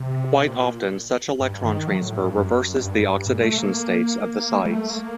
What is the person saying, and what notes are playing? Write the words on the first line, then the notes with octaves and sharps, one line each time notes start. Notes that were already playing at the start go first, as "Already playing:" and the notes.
Quite often such electron transfer reverses the oxidation states of the sites.
Already playing: C3
A#2
G2
D#3
F#3
A2
G2
F#2
G2
G2
A#2
A3
A3
A#3
G3
A3
A#3